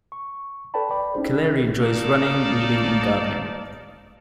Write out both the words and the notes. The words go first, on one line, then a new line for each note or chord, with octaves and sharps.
Kaleri enjoys running, reading and gardening.
C#6
A4 B4 D5 G5 A5 B5
D5 G5 B5 D6
C#4 D#4 E4 G#4 C5
D#4 A4 D5 F5 A5